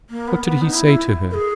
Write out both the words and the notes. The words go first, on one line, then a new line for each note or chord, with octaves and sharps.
What did he say to her?
A#3
B3
B3
D#4
E4
E4
A#4
G#4